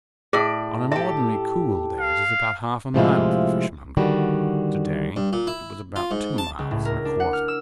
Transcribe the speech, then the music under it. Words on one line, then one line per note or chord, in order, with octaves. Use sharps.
On an ordinary cool day it is about half a mile to the fishmonger; to-day it was about two miles and a quarter.
A2 G#4 D5
G4 A4 E5
F5
A2 C3 F3 G#3 E4 F4
D3 D#3 G3 F#4
G2
A#2
E4
F4
G#2
A5
C#2
A2
A#4
D4
F#5
F6
E6